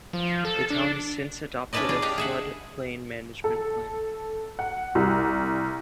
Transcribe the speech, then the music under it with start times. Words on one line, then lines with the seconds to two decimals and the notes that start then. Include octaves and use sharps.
The town has since adopted a flood plain management plan.
0.13 F3
0.45 A4
0.70 D4
1.73 C#4 D4 E4 B4 D5 D#5
1.89 D4 G#4 D5
2.02 D4 G4 D#5 F5
2.18 G#4 E5 F#5
3.44 A4
4.59 F#5
4.95 C2